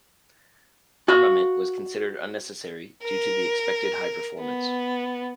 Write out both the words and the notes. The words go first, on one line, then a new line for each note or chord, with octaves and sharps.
Armament was considered unnecessary due to the expected high performance.
F#4 F5
A#4
B3